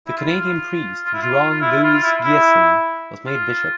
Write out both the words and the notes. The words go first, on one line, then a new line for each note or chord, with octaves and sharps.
The Canadian priest Juan Luis Giasson, was made Bishop.
E4
F4
F4
E4
F4
F4
E4
E4
F4
F4
E4
E4
F4